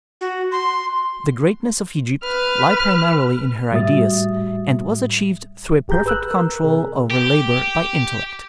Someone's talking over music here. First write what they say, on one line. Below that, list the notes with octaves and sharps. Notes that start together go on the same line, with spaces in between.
The greatness of Egypt lay primarily in her ideas, and was achieved through a perfect control over labor by intellect.
F#4
C6
B4 F6
A2 G3 F#4 E5 D#6 A6
G#1 G4 G#4 A#5 G6
B4 E6 F#6
A#4
C3 G#4 A#4
G4